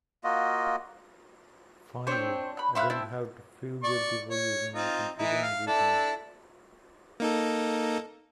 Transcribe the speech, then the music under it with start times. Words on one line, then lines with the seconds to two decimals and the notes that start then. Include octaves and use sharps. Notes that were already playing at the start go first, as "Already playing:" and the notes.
Finally I didn't have to feel guilty for using my computer on weekends.
0.24 A#3 F4 F#4 D#5
2.07 C4 D4 C5 C#5
2.57 B5 F#6
2.75 C5 E5 F5 B5 C#6 F#6
2.90 C4 E4 E5 A5
3.83 D5 C#6
4.31 C#5
4.75 C4 D#4 F4
5.18 E3 D#4 E4
5.42 F5
5.67 D4 E4 A4
7.20 A#3 D#4 A4